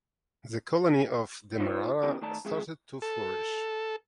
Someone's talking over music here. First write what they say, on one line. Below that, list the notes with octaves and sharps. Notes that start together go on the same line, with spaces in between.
The colony of Demerara started to flourish.
D#4 F4 C5 C#5 E5
D#3 E3 B3 C#4 G4 A#4
D#3 A3 D5 A5 A#5
F2 G#3 G#4 E5
A4